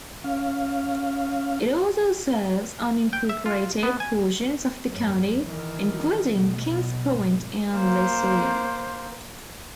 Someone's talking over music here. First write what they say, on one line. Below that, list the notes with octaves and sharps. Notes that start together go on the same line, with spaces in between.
It also serves unincorporated portions of the county, including Kings Point and Losoya.
C#4 F5
G5
E5
F4
B3
G#5
G#1 F#2
D#3 E3
B2 A3
B1 B2
G#1
A#3 C5